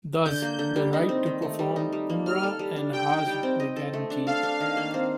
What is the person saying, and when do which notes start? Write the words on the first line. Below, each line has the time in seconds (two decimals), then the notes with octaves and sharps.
Thus, the right to perform Umrah and Hajj were guaranteed.
0.25 D3 G6
0.42 A#3
0.59 D3
0.76 G3
0.93 D#4
1.09 C4
1.26 D#3
1.42 A3
1.59 G3
1.76 D#4
1.93 G3
2.09 A#3
2.26 G3 F6
2.43 A4
2.59 G3
2.76 D4
2.93 G4 G5
3.10 D#4
3.27 G3
3.43 C4
3.60 D#5
3.76 A4
3.94 A3
4.10 D4
4.27 A4 F5
4.43 D4
4.60 D#3
4.77 A#3
4.94 C4